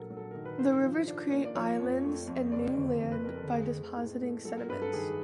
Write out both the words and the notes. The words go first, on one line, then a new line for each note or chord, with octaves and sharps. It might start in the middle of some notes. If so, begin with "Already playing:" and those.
The rivers create islands and new land by depositing sediments.
Already playing: A#1 F#3 A4 A#4
F#3
A4
D#3 A#4
B4
G#2 C5
F3
D4
A#3
D5
F3 C#5
F2
A3
F2
F#1 D5
F#1
F2
B4
F2 A#4
A4
A3 G#4
A3
A2
A3
F#3 A4
A#4
G2 B4
A4
D#3 G#4